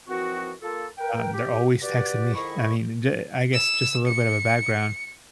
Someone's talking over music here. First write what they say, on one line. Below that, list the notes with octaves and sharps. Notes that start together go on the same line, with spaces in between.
um, they're always texting me I mean, the I guess, just a little bit of a background.
D#2 E3 F3 C4 F#4
A#3 F4 A4
A#4 B4 G5
G4
F#4 G4 B4 D5
F2 G#2 D#3 E4 D#5 C#6
E6
C#7